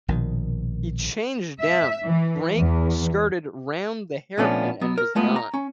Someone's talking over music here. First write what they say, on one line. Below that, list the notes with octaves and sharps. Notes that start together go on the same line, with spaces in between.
He changed down, braked, skirted round the Hairpin and was gone.
A#1 B2 D#3
E5
E3
E2
A#2 F3 A3 B3 C#4 D4
F#3 B3
A#4
G#3 A3 B3 F4
A#5
C#4